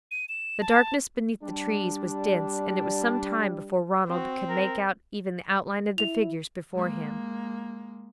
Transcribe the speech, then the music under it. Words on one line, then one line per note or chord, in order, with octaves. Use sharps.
The darkness beneath the trees was dense, and it was some time before Ronald could make out even the outline of the figures before him.
D#7
E7
A5
G3 D4
C4 F#4
A#4
E4 F7
G#3 A#3